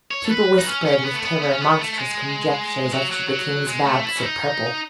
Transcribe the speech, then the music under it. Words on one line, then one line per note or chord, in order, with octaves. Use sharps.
People whispered with terror monstrous conjectures as to the king's baths of purple.
C#5
A4
B4
D#4
C#4
C#4
B3
A3
B3
B3
C#4
B3
A3
G#3
F#3
F#3
F#3
G#3
A3
E4
C#4
D#4